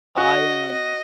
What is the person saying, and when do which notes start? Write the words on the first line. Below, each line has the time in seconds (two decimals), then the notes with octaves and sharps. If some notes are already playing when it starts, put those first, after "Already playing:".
I am
0.18 F#4 D#5
0.72 D#5